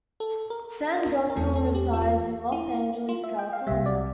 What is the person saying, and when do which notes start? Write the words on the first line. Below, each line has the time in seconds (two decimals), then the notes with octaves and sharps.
Sandoval resides in Los Angeles, California.
0.20 A4
0.50 A#4
1.30 A#4
1.36 E2 E3 A3 C4 A4
1.56 A4
1.75 G4
1.93 F4
2.52 E4
3.09 F4
3.24 E5
3.39 G5
3.53 F5
3.67 C2 C3 G3 E5
3.86 D5